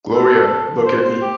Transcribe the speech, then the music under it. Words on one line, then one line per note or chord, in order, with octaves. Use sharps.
Gloria, look at me!
A4
C5
C5
G4